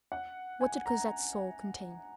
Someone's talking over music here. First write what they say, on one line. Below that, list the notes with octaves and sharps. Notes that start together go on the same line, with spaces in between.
What did Cosette's soul contain?
F#5
G#5
A#5